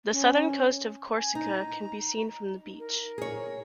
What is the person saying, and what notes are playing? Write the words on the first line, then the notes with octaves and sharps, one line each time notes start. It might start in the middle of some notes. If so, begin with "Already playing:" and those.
The southern coast of Corsica can be seen from the beach.
C#4
G#5
D#4 A#5
A#4
G#4 C#5